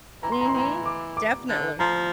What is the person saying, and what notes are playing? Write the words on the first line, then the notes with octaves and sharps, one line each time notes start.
Mhm. Definitely.
E3 A#5
C6
E3 A#5
C6
E3 A#5
D6
D6
D3
F3 A#5